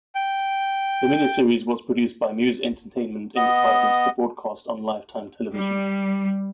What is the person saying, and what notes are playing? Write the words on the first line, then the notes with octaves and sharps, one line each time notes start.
The miniseries was produced by Muse Entertainment Enterprises for broadcast on Lifetime Television.
G5
B3 D#5
G3